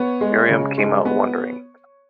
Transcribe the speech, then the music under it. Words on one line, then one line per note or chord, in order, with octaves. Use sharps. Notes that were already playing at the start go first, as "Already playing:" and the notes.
Miriam came out wondering.
Already playing: B3 C#5
G#3
C#3
G#3
B3